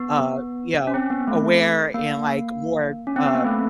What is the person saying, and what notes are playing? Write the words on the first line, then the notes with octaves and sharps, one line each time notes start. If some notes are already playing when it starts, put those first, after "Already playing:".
uh, you know, aware and, like, more, uh,
Already playing: B3
C#4
C4
B3
A3
A#3
C#4
C4
B3
A#3
A3